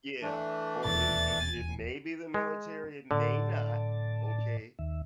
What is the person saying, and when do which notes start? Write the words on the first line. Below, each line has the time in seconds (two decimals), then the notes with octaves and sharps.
yeah, or it it may be the military, it may not, okay,
0.22 E3 A3 D4
0.85 D#1 E2 B2 A6
1.40 G#5
2.34 G#3
3.11 A2 D3 D5 A5
4.79 D#2 D#3 E5